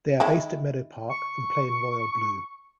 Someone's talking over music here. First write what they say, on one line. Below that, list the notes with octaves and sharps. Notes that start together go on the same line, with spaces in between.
They are based at Meadow Park and play in royal blue.
D#3 G#3 E4
C#6